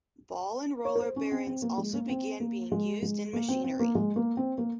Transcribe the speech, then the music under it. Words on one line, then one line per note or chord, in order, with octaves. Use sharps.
Ball and roller bearings also began being used in machinery.
C#5
A#4
C5
C#4
C4
C4
A#3
G#3
A#3
C4
A#3
G#3
G#3
A#3
C4
C4
A#3
G#3
A#3
C4
A#3